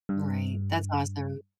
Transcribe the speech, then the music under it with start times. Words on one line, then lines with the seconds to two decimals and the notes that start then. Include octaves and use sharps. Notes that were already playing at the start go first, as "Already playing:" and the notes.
Right, that's awesome.
0.09 G2